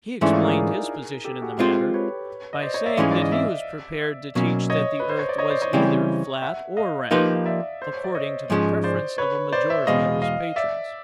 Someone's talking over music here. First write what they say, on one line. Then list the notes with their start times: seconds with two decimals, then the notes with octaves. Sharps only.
He explained his position in the matter by saying that he was prepared to teach that the earth was either flat or round, according to the preference of a majority of his patrons.
0.21 G#2 E3 A3 C#4 D4 E4
0.33 D#4 F4
0.44 G#4 A#4
1.25 G4 A4
1.42 F#4 G#4
1.59 G#3 C4 F4 G4 A4
1.94 B4 C#5
2.53 D#5
2.63 C5 D5
2.74 C#5 D#5
2.86 D5 E5
2.97 G#2 E3 G#3 C#4 D#5 F5
3.11 D5
3.22 D#5
3.32 D5 E5
4.35 B2 F#3 A#3 C#4
4.70 C#5 D#5
5.00 B4
5.09 C5
5.19 C#5
5.29 D5
5.38 C#5 D#5
5.50 C5 D5
5.62 C#5 D#5
5.73 C#3 E3 G3 C4 E4
6.42 E5 F#5
6.77 D#5 F5
7.11 F3 A#3 D#4 G4 B4
7.35 F5
7.46 D5 E5
7.82 C5
7.93 C#5
8.04 D5
8.15 C#5 D#5
8.50 G#2 F3 G#3 C#4
8.84 C5 D5
9.18 B4 C#5
9.53 C5 D5
9.70 D5 E5
9.87 E2 B2 G#3 D#5 F5
10.22 D#5 F5
10.56 D5 E5